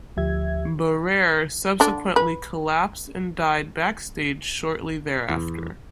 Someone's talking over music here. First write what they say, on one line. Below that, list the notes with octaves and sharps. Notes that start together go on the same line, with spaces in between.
Barere subsequently collapsed and died backstage shortly thereafter.
D2 F3 G4 E5 G#6
D3 D4
B4
E2